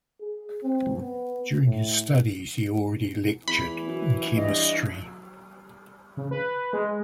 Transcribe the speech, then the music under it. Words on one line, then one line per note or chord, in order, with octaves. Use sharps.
During his studies he already lectured chemistry.
G#4
C4
B3
A2
E2 E3 B5
F#2
G2 D#5
C#3
B4
G#3